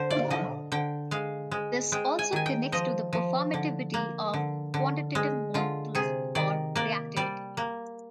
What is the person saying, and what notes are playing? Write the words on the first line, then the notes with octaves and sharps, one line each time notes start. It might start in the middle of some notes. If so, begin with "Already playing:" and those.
This also connects to the performativity of quantitative models or reactivity.
Already playing: D3 C5
D5
D3 D#5
D3 G5
G#3 F5
G#3
G#3 G5
G#5
D#3 G#5
G5
F3 D#5
F3
D3
A#3
D3
D3
G#3
D3 F4
C3 G#4
D#3 D5
A#3 D5
G3 D5
A#3